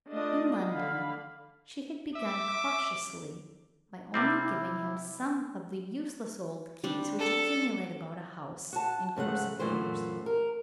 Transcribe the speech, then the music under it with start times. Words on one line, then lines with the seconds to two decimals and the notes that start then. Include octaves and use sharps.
In London, she had begun cautiously by only giving him some of the useless old keys which accumulate about a house in course of years.
0.10 A3 D4 F4 D#5
0.68 D3 F5 B5
2.15 E5 D6
4.14 C3 G3 C4 E4
6.84 G3 C4 D4
7.19 A4
8.73 F#4 A5
9.16 G#2 C#3 A3 F#5
9.59 F#2 A#2 E3 A3 C5
10.26 A#4